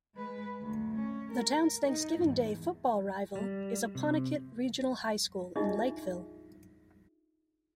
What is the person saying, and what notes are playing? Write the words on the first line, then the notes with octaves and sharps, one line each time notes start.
The town's Thanksgiving Day football rival is Apponequet Regional High School, in Lakeville.
G#3 B4
D2
C#4
A#4
D#4
E2 G#2
G3
C3
D4 D#4 F4 G#4 D#5 E5